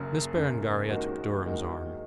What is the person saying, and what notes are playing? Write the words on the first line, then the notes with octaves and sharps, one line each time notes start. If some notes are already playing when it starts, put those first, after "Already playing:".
Miss Berengaria took Durham's arm.
Already playing: F#1 F#2 C#3
F#1 F#2 C#3
D#2 D#3 G#3 D#4 F#4
D#2 D#3 G#3 D#4 F#4